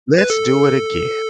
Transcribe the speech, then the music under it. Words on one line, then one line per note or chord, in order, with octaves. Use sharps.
"Let's do it again."
B4
A4